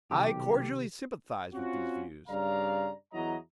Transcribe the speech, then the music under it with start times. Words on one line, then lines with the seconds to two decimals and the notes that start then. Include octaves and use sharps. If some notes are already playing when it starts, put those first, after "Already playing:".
I cordially sympathized with these views.
0.11 B1 C3 D#3 C4 G4
1.53 C4 C#4 F4 F#4
2.28 G2 C#3 D5 F5 A#5
3.13 E2 F#3 E4 D#5 A#5